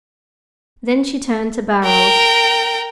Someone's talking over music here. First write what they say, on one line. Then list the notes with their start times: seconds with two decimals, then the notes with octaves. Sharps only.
Then she turned to Barold.
1.85 A#4 G5